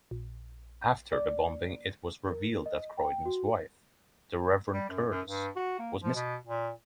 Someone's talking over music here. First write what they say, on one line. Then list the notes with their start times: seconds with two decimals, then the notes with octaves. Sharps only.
After the bombing it was revealed that Croydon's wife, the Reverend Curtis, was missing.
0.11 A#1
1.13 D5
2.27 A#4
2.66 D#5
2.97 G5
3.26 F#4
4.73 G3
4.89 F#2
5.11 F#2
5.27 G2
5.56 F#4
5.79 A#3
6.02 F3
6.15 B2
6.47 A#2